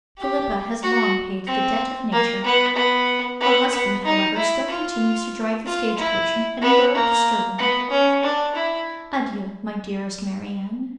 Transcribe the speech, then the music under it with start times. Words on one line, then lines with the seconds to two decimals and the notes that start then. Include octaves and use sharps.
Philippa has long paid the Debt of Nature, Her Husband however still continues to drive the Stage-Coach from Edinburgh to Sterling:--Adeiu my Dearest Marianne.
0.18 G4
0.83 F#4
1.47 C4
2.12 A#3
2.44 B3
2.75 B3
3.41 B3
3.73 B3
4.05 D#4
4.37 E4
4.70 F4
5.66 F4
5.98 E4
6.62 B3
6.95 A#3
7.58 B3
7.90 C#4
8.23 D4
8.56 E4